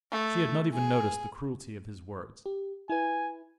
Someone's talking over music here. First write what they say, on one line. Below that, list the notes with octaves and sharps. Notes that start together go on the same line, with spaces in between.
She had not even noticed the cruelty of his words.
A3
G#4
G4
E4 B4 G#5